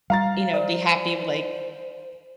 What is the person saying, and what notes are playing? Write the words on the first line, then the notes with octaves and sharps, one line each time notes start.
you know, be happy with, like,
G3 F5 A#5 A6
C5 D5